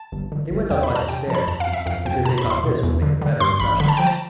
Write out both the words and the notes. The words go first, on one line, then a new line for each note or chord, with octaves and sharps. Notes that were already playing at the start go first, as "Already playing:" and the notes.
They went up by the stair, because they thought this would make a better impression.
Already playing: A5
G1
D3
G1
E2 G5
B5
E2
A5
C3 G5
F3 A5
B5
F2 A5
F5
F2
E5
F2 F5
F2 G5
B2 A5
B5
E2
C6
B2
E2
D3
D3
G2 C6
A1 B5
D3 B5
A5
F3 G5
A5